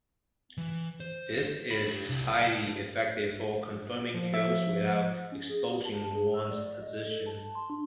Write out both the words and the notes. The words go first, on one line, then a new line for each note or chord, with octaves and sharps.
This is highly effective for confirming kills without exposing one's position.
E3
C5
B5
D4 G4
C2
A#4 A5
F3
E5
C#4
G#4
G4
A5
G#4
E6
D5
D#5
A4
A5
C6
D4